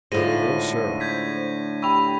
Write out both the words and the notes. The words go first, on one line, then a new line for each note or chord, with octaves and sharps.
No, sir!
A2 D3 G#3 D#4 F4 C5 A#6 D#7
G6 G#6 B6
G4 G5 B5 C#6 E6 F7